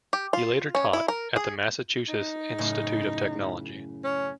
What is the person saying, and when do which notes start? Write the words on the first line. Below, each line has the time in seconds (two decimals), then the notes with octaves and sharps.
He later taught at the Massachusetts Institute of Technology.
0.13 G4
0.33 F4
0.75 C#4
0.93 E4
1.08 A#4
1.36 G#4
2.09 D#4
2.58 F#2 A2 C#3
4.04 C#4